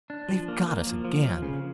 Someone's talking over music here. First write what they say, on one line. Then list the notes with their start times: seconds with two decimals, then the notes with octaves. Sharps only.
"They've got us again."
0.10 D4
0.29 F3
0.48 A#3
0.67 A#3
0.87 F3
1.05 F3
1.24 F3
1.42 C#3